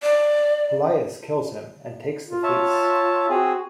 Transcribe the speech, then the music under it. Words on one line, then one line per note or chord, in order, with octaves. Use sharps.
Pelias kills him and takes the Fleece.
D5
F4
C#5 E5 A5
C4 F#4 G#4